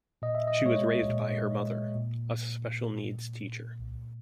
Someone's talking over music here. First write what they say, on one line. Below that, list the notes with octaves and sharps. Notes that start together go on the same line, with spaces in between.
She was raised by her mother, a special-needs teacher.
A#2 D#5
E5
D#5
G#3 C#5
A#2
G#3
A#2